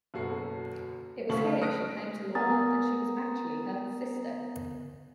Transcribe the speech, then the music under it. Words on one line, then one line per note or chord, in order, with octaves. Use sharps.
It was here she claimed to Lorna that she was actually her "sister".
F#1 F#2 B2 F#4 A4 C7
D2 C#3 A3 A5 C#6 F#7
D#6 F6 F#6 A#6 B6 D7
B3 A#4 G#5 A#5 D#6 A6